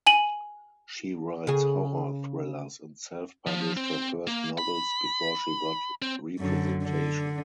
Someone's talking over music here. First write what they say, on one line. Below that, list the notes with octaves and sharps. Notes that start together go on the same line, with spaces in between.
She writes horror thrillers and self published her first novels before she got representation.
G#5 D#7 F#7
C#3 G#4
F3
C4
A#3
B5
C4
F#2 D3
D3